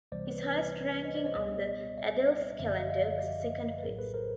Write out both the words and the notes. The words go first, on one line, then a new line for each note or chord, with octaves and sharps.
His highest ranking on the Adelskalender was a second place.
C2 C3 E3 G3 B3 C5 D5
B4 C#5
B4 C#5
C#5 D#5
C5 D5
C#5 D#5
C#2 B2 G3 B3
D5 E5
G1 F#2 D3 F3 D5 E5
D#5 F5
D#5 F5
D5 E5
B4
A#1 A2 F#3 G#4 A#4
A4 B4
A#4 C5